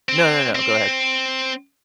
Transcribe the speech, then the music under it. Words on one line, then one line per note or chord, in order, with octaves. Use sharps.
No, no, no, go ahead.
C4
C4